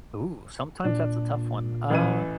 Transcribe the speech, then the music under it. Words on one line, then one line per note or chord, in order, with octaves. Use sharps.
Ooh, sometimes that's a tough one, uh,
A#2 D4
A1 E3 D#7